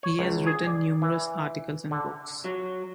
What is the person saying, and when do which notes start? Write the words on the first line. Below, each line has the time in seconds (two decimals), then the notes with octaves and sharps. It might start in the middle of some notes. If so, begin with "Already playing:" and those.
He has written numerous articles and books.
0.03 C#5
0.19 C#2
0.47 G#4
0.67 D5
1.02 E3
1.91 D3
2.45 F#3